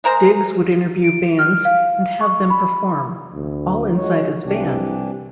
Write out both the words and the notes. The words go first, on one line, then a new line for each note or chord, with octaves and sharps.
Digs would interview bands and have them perform - all inside his van.
G#3 A#4 C5 A#5
D7
F6
F5
C#6
B5
D2
G#3 F#4 C#5
C2 E3 D4 G4